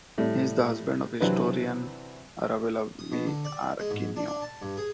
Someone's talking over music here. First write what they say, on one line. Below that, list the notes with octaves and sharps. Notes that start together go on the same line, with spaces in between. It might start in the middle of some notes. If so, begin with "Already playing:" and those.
He is the husband of historian Arabela V. Arcinue.
A2 G3
C3 E3 F#3 C4 D4 B4
D#6
B2
D3
D5
G#3
G#2
D4
D4
A5
G2
G#4